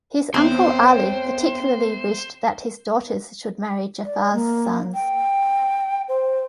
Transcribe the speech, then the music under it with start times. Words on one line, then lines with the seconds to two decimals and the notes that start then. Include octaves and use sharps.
His uncle Ali particularly wished that his daughters should marry Ja'far's sons.
0.34 E2 C4 C5 C#5 G5
4.05 D5
4.33 A#3
4.94 G5
6.08 C5